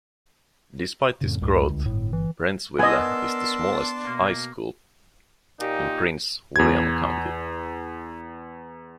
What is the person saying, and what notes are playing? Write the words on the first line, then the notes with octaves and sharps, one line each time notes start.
Despite this growth, Brentsville is the smallest high school in Prince William County.
F2 A2 C#3
C#2 F#2 A2
D2
G1 A2
E3
B3 D4 A#4 D#5 G#5 A5 C6 E6
B2 A#3
A#2 D#4 G4
E2 G#6